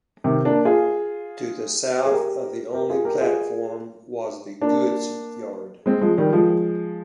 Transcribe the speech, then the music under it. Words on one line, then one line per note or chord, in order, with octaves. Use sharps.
To the south of the only platform was the goods yard.
C3 D#3
A#3 D4
F4 G#4
G#4
G4 A#4
G4 A#4
F4 G#4
G4 A#4
F4 G#4
A#3 D4
G#3 C4
F3 G#3
D#3 G3
F3 G#3